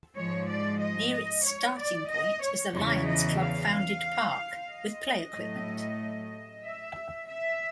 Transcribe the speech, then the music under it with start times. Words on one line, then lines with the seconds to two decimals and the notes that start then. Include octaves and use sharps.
Near its starting point is a Lions Club founded park, with play equipment.
0.15 G#2 F3 G#3 C#5
0.48 D5
0.80 D#5
1.12 D#5
1.45 C#5
1.78 D5
2.10 D#5
2.43 C#5
2.74 E2 C#3 E3 C#5
3.07 D#5
3.40 F5
4.69 D#5
5.34 A2 F#3 A3
6.64 E5
7.28 E5